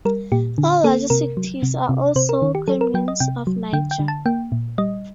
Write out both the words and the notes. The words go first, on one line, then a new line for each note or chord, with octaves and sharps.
All larger cities are also Communes of Niger.
G3 A#4
A#2 G4
D3
A#3 A4
C3 A#4
F#3
C3
C3
C3 C5
A#4
D#3
G4
F#3 A4
A#4
F#3 G5
D#5
C3 G5
F#3
D3 G5
G5
D3
A5
A#3 G5
A#2
G3 D#5